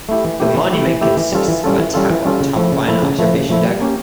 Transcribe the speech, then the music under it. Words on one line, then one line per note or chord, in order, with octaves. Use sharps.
The monument consists of a tower topped by an observation deck.
A3 E4 G4
E3
A3 E4 G4
E3
A3 E4 G4
E3
A3 E4 G4
E3
G3 C#4 F4 A4
E3
G3 C#4 F4 A4
E3
G3 C#4 F4 A4
E3
G3 C#4 F4 A4
C#3
F3 A3 E4
C#3
F3 A3 E4
C#3
F3 A3 E4
C#3
F3 A3 E4
G3
A#3 C#4 G4